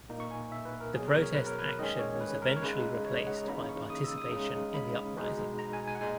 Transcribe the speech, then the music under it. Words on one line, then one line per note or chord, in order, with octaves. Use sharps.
The protest action was eventually replaced by participation in the uprising.
A#2 A#3 D#4
C#6
G#5
E5
B4
A#4
B2 F#3 B3 G#4
A#4
C#5
B4
A#4
B4
D#3 G#3 C#4 D#5
C#5
B4
A#4
C#5
C#3 G#3 D#4 B4
C#5
D#5
F#5
A#5
C#3 E3 A#3 D#4 B5
C#6
D#6
E6
D#6
C#3 G#3 D#4
B5
B2 G#3 B3 D#4
A#5
G#5
G#5
F#5
A#2 G#3 D#4 G#5